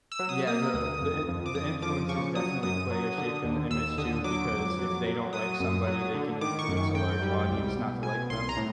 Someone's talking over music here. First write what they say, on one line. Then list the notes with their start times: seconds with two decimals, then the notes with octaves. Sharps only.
yeah. The the in the influencers definitely play a shape in the image too because if they don't like somebody, they can influence a large audience not to like them.
0.12 E6
0.19 F#3
0.29 D#6
0.47 A#3 D#6
0.74 D2
1.01 F2
1.28 F2
1.46 D6
1.55 F2 D#6
1.82 F3 D6
2.09 C#3 C#6
2.35 F#3 D#6
2.63 F#2 D#6
2.90 F#3
3.17 D3
3.44 D#2
3.71 D#2 E6
3.98 D3 D#6
4.24 F#3 D6
4.52 F2
4.79 F#3
5.06 F#3
5.33 F#3 D#6
5.60 F#2
5.87 F#3
6.14 D3
6.41 D#3 D6
6.59 C#6
6.68 F#2
6.77 C#6
6.94 F#2 G5
7.22 G3
7.49 C2
7.75 B2
8.03 B2 G#5
8.30 C2 C6
8.49 A#5
8.57 A2